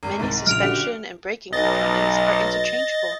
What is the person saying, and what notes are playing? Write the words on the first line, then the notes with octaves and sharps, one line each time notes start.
Many suspension and braking components are interchangeable.
G#1
C2 G#2 D#3 A6
A#1 C#3 F6 D7 F7
D3 F#4 G4
B1 D#5 A6